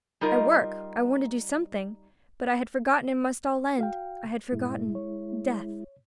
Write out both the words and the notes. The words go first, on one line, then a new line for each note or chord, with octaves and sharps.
"I work, I want to do something, but I had forgotten it must all end; I had forgotten--death."
G3 D#4 F4 A#4 D#5
F#4 F5 G5
G2 A#2 G#3 E4
C#5